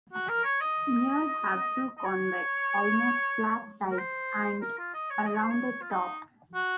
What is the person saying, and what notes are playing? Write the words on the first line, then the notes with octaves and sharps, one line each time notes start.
Mere have two convex, almost flat sides and a rounded top.
F#4
A#4
C#5
D#5
D#5
C#5
A#4
C5
A#4
F4
D#5
C#5
D#5
C#5
C5
C#5
F4
D#4
F#4